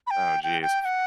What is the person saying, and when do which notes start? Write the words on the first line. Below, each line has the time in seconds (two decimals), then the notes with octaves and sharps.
Oh, jeez.
0.07 B5
0.11 G5
0.44 G5
0.62 G5
0.81 G5
0.85 F#5